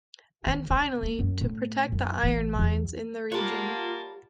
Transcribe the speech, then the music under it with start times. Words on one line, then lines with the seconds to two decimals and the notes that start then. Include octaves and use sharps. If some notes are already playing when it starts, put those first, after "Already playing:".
And finally, to protect the iron mines in the region.
0.46 D#3
0.70 C#3
1.03 A#3
1.19 F#2
1.41 A2
1.92 F#2
2.23 A1
2.59 E2
3.32 G3 A#3 F4 C#5 F#5 A5